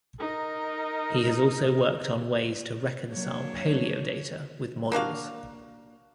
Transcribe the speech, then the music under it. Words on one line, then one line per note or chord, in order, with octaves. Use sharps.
He has also worked on ways to reconcile paleo-data with models.
D#4 A#4
F#3 A#3 D4 C#5
A#3 D4 F#4 F5